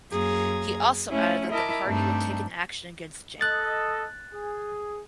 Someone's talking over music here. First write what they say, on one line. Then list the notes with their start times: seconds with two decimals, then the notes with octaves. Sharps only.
He also added that the party would take an action against Jang.
0.11 F#2 A#3 G#4 A#5 G#6
1.10 A3 C#4 E4
1.51 E4 A#4 D#5 A5 D6
1.85 G2 G3 A3 C4 D4 D#4
3.41 A4 D#5 F#6 A6
4.33 G#4